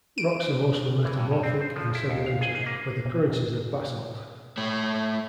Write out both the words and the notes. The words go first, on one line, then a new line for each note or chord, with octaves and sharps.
Rocks are mostly metamorphic and sedimentary, with occurrences of basalt.
D7
E3
G2
G2
C4
C5
F3
E4
D#2
F5
G#4
G#4
A#3
B2
A3 C#5